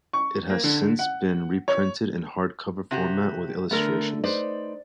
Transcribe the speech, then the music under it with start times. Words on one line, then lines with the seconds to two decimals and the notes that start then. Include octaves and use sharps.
It has since been reprinted in a hardcover format with illustrations.
0.13 C#6
0.50 A#3
0.64 D3
0.99 F#5
1.68 C#5
2.91 C3 F#4 G4
3.71 D3 A3 B3 A#4
4.24 D#4 B4 C5 D5